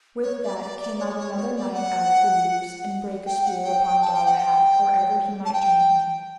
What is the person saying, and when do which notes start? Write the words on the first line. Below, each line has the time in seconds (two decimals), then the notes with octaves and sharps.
With that came out another knight out of the leaves, and brake a spear upon Galahad or ever he might turn him.
0.23 C#5
0.42 D5
0.62 D5
0.80 D5
0.99 C#5
1.17 C#5
1.37 C#5
1.56 D5
1.74 F#5
3.26 G5
3.44 F#5
3.64 G5
3.83 G5
4.02 A5
4.13 G5
4.26 F#5
4.38 G5
5.45 A5
5.53 G5